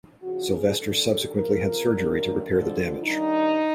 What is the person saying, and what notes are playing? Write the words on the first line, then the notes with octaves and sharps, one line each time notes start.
Silvestre subsequently had surgery to repair the damage.
E2 C#3 F3 F#4
G#4
G2 D#3 G3 A4
F2 C#3 F3 A#4
G2 D#3 F#3
F2 D3 F3 A4
G2 D#3 G3 D#4